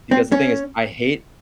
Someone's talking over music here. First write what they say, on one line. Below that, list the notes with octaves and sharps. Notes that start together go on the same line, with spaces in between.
because the thing is, I hate
C4
C#4